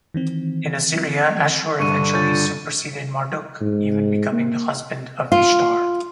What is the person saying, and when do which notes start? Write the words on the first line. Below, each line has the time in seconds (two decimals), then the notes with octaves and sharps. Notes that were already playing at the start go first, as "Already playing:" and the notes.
In Assyria, Ashur eventually superseded Marduk, even becoming the husband of Ishtar.
0.14 D#3 E3 C4
1.80 G2 D3 C#6 C#7 D#7
2.14 F4 C#5 G#5 C#6 G6 A6
3.61 G#2
4.32 A#3
5.32 F4